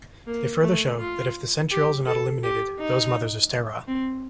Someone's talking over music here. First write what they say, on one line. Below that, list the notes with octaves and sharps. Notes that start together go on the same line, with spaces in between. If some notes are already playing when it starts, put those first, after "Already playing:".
They further show that if the centrioles are not eliminated, those mothers are sterile.
A#3
A3
F4
G4
A4
G4
D#4
C4